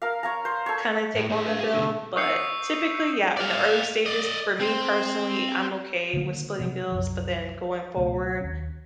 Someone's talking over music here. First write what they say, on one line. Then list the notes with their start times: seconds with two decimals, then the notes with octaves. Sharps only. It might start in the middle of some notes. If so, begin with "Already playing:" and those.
kinda take on the bill, but typically, yeah, in the early stages, for me personally, I'm okay with splitting bills, but then going forward,
0.02 A#4 F5
0.23 C#5 F5 A#5
0.45 C5
0.66 A4 C#5
1.15 A2
1.29 A2 G#4
1.46 B4 F5
1.61 G4 G#4
1.74 B2 D3
2.16 C#6 D#6 E6 G6 C7 C#7
3.37 D5 F5
4.06 D5 D#5
4.60 C4
6.13 D3 D#3 A#3
6.59 C3 F3 B3
6.92 C2 F#2 F3
7.97 C#2 B2 A3
8.41 D#2 C#4